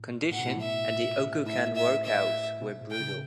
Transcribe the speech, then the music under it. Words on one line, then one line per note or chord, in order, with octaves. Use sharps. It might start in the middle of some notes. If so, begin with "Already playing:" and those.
Conditions at the Occoquan workhouse were brutal.
Already playing: A2
A2 F#5
B2
A2
E5
A2 E5
E5
E5
B2
A2
G5
C#3